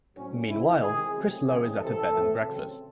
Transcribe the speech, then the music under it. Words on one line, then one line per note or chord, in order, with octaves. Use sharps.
Meanwhile, Chris Lowe is at a bed and breakfast.
A2 F#3 C4 C#4
C#3 G#3 C4 E4
C3 D#3 G#3 C4 G#4
C3 F#3 A3 C4
C#3 E3 G#3 C4 G#4
C3 E3 C4 A4
A2 E3 A3 C4
C#3 F#3 C4